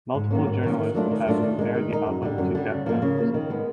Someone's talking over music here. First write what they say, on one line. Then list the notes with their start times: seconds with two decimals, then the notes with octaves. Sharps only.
Multiple journalists have compared the album to Deftones.
0.15 G#2
0.31 D#3 F#3 A#3 C#4
0.47 G#2
0.63 D#3 F#3 A#3 C#4
0.79 D#3
0.95 F#3 A3 D4 F4
1.11 D#3
1.26 F#3 A3 D4 F4
1.42 D#3
1.59 G#3 B3 D#4
1.74 D#3
1.90 G#3 B3 D#4
2.07 F#2
2.22 D3 G3
2.38 F#2
2.55 D3 G3
2.71 C#3
2.86 F3 A#3
3.02 C#3
3.18 F3 A#3
3.34 D#3
3.50 G#3 B3